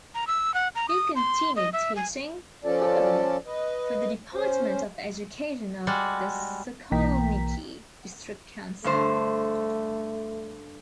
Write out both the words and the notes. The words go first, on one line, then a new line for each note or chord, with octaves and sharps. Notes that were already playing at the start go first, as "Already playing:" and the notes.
He continued teaching, however, for the Department of Education of the Sokolniki District Council.
A#5
E6
F#5
A#5
D#6
C6
D#5
E5
G#5
F3 C#4 F4 A4 D5 A5
B4 D#5
C#4 C5
G3 G#3 F#4
B1 E3 A#3 G5 A#5 B6
G2 D3 A3 C5